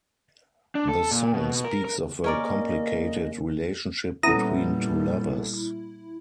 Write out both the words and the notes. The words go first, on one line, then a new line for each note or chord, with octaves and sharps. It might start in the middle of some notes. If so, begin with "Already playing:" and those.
The song speaks of a complicated relationship between two lovers.
D4
A4
A#2
B2
A#4
A#4
A#3 C#4 A#4 D5 D#5
A#2 G3 B3 C#4 E4 A4 A#5 D#6